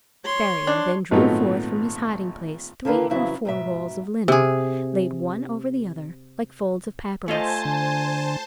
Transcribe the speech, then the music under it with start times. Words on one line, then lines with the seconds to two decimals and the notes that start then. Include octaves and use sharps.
Faria then drew forth from his hiding-place three or four rolls of linen, laid one over the other, like folds of papyrus.
0.25 C#5 C6
0.67 D4
1.11 G#1 A#2 F#3 A3 B3 D#4
2.85 D3 D#3 A#3 B4
3.10 F2 C#3 E3 F#3 E4
3.45 G#2 B2 E5
4.28 C3 G#4
7.28 A3 F4 C5 D#5 G#5 A5
7.65 D3